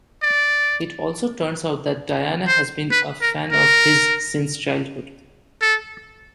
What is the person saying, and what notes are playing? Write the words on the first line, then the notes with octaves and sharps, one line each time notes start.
It also turns out that Diana has been a fan of his since childhood.
D5
C5
B4
A#4
A#4
A4